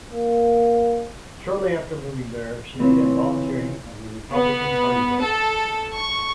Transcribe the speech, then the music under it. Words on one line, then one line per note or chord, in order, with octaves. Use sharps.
Shortly after moving there, she began volunteering as a Republican Party worker.
A#3
C#3 E3 B3 C4 F4 C#5
B3
A4
C#6